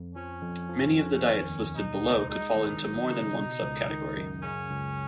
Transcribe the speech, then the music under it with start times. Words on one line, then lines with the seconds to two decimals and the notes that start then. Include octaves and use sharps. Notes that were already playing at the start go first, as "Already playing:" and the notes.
Many of the diets listed below could fall into more than one subcategory.
Already playing: F2
0.15 F3 C#4
0.42 F2
0.69 F3
0.96 F2
1.23 D#3
1.50 D#2
1.75 B2 D#4
2.03 C#2
2.29 G#3 D#4
2.56 D#3
2.83 F#3
3.10 C#3
3.36 B2
3.63 C#2
3.89 D#3
4.17 F#2
4.43 C#3 C#4
4.70 C#2